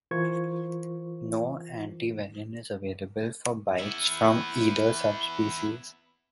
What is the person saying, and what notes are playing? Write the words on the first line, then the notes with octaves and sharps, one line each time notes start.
No antivenin is available for bites from either subspecies.
E3 F4 A#4 C5 C#6 G#6
B3 E4